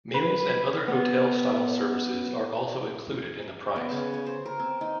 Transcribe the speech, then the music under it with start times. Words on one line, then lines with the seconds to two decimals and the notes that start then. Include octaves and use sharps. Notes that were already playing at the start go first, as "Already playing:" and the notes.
Meals and other hotel-style services are also included in the price.
0.14 B4
0.88 B3
3.76 B3
3.91 C#3
4.14 C#5
4.26 C5
4.46 A#4
4.59 C4
4.81 D#4